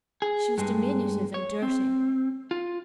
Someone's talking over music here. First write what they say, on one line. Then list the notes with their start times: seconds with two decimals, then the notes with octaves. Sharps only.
She was diminutive and dirty.
0.22 G#4
0.58 G2 G#3
1.34 C#5
1.62 C4
2.51 F4